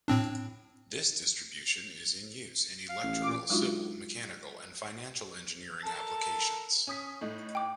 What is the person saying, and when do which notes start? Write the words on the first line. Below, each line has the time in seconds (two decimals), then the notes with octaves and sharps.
This distribution is in use in electrical, civil, mechanical, and financial engineering applications.
0.08 A2 C4 D4
2.89 F5
3.03 A1
3.22 A#2 D6
3.50 F#3 G#3 D4 D#4 F4 F#4
5.84 A4 A#4 A5
6.87 C#4 D#6 B6
7.21 A2 A3 D#4
7.55 G5 D6